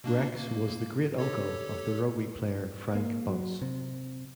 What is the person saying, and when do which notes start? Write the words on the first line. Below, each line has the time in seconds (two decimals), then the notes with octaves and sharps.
Rex was the great uncle of the rugby player Frank Bunce.
0.04 B2 A#3 D4
0.39 A#3
1.18 G4 A4 C#5
2.95 A#3
3.29 F#3
3.62 C3